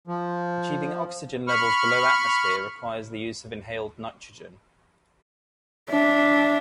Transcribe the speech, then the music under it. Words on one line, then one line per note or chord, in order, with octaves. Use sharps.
Achieving oxygen levels below atmosphere requires the use of inhaled nitrogen.
F3
B5 C#6 F6
D4 E5